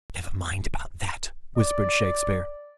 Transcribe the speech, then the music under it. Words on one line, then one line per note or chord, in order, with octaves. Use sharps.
"Never mind about that," whispered Shakespeare.
D5